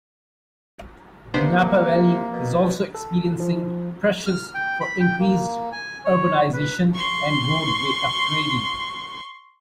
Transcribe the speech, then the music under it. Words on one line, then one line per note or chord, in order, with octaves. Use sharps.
The Napa Valley is also experiencing pressures for increased urbanization and roadway upgrading.
C3 A#3 B3 D4 C5
B2
A4
F3
F6
G5
B5
G5
A#3
G#5
C#5
B4
C6 C#6